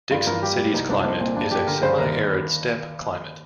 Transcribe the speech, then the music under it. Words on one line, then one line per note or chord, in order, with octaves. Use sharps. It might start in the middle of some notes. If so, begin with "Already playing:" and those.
Dixon City's climate is a semi arid steppe climate.
G2 F4
G2 A#4
G3 G4
G3
C2 D#4
C2 D4
C2 C4
A#2 C4
G2 D4
G2 G4
D3 A#4
G2 C5
D#2 A#4